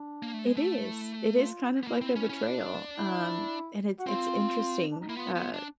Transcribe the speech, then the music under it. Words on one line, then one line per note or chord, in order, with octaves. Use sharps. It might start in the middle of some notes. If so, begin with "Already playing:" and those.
It is. It is, kind of, like, a betrayal, um, and it's it's interesting, uh,
Already playing: D4
A#3
A3
G#3
A3
E4
F4
B3
A#3 E4
C4
C#4
C#4
D4
E4
F#4
C4 F4
D4
D#4
A#3 E4
B3 F4
B3
D4